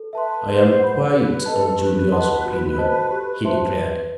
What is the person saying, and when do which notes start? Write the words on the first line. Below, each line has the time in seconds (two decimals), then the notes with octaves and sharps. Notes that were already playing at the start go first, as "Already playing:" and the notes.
"I am quite of Julius's opinion," he declared.
Already playing: A4
0.13 B4 E5 A5 C6
0.46 B4 C5
0.79 F#5 B5
1.12 G4 B4
1.46 A4 B4 D#5 A5
1.79 G4 B4
2.12 D#5 F#5 A5 C6
2.45 F#4
2.78 A4 C5 D#5 A5
3.11 G4
3.45 C5 E5 A5 C6
3.77 B4